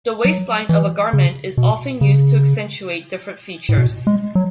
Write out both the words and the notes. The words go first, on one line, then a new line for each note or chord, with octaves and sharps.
The waistline of a garment is often used to accentuate different features.
F#3
E3
C#3
B2
C#3
A2
B2
G#3
F#3